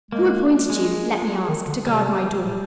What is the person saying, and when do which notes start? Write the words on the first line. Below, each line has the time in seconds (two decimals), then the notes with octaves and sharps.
Who appointed you, let me ask, to guard my door?
0.11 G#3 A#3
0.70 G#3
1.28 G3
1.48 D#3
1.68 D3
1.87 C3 G3
2.46 A#2